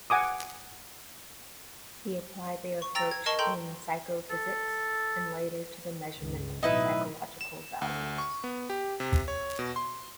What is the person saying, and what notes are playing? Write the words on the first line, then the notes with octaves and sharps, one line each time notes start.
He applied the approach in psychophysics, and later to the measurement of psychological values.
F#5 G#5 D6 D#6
C#6
G5 A#5 E6 A6 A#6 F7
G#6
A#4 D#5 A5 C#6 G7
A4 G5 A#5 C6 G6
A4
C#2 G2
A1 B2 F#3 D#4 E4 B4
E7
D2
C#6
B3
G4
C3
C#5
B2
C6